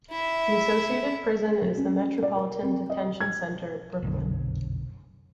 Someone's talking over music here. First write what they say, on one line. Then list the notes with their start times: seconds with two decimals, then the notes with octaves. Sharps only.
The associated prison is the Metropolitan Detention Center, Brooklyn.
0.11 E4 E5
1.62 F#3
1.77 C#4
2.23 D5
2.36 A#4
2.62 C4
2.90 D#5
3.21 G#6
4.02 F1 B1 F#2 D3